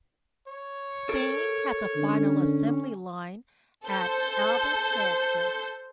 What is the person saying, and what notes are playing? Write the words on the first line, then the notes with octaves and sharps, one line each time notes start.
Spain has a final assembly line at Albacete.
C#5
A4 A#4
D3 C#4
A4 C5 G6